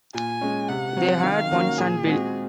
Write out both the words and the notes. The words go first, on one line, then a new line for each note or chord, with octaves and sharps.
They had one son, Bill.
A#2 G#5
G#3 C#4
C3 F#5
F#3 C4 F#4
D#3 F5
A#3 C#4 F#4
A#2 G#4
G#3 C4 F#4